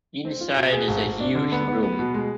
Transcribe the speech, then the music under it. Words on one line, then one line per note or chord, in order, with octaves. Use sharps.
Inside is a huge room.
C4
F4
B2
G#4
G#1
G#1
D4
D3
B3
B3
B3
B2
G#3